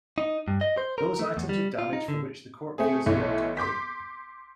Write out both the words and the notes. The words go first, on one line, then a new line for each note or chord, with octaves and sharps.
Those items of damage for which the court feels he ought to pay.
D#4
G2
D#5
C5
A#4
A3
E2
G3
F4
D#4
D3
A3 C4 G#4
B1 E3 A3
C6 D6 G6 B6